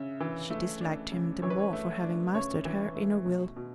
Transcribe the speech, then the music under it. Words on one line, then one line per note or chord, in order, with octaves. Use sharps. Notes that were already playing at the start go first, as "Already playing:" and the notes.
She disliked him the more for having mastered her inner will.
Already playing: C#3 E5
E3
A3
D4
C#3
E3 C#5
B4
C#5
A3
D4
C#3 C#5
E3
A3
B2
B2